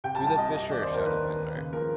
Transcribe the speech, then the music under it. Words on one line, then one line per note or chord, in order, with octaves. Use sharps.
"To the fissure!" shouted Ventnor.
C3 G5
A5
C2
A5
C2 D#5
C2 D#5
D#3 D5
C5
D#2
A#4
D#3 B4
D#3
D#2
C#3
F3 A#4